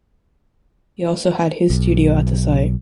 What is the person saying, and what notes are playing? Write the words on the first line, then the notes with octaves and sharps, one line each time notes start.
He also had his studio at the site.
B1